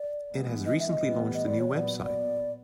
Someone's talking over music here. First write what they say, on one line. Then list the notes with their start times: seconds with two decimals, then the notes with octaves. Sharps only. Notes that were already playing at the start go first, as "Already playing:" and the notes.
It has recently launched a new website.
Already playing: D5
0.32 E3 G#3 B3
0.66 D#5
0.80 E5
0.89 D#5
1.00 A2 E3 G3 B3
1.34 D#5
1.46 D5
1.59 C#5
1.69 A#2 F#3 B3 D5
2.03 D5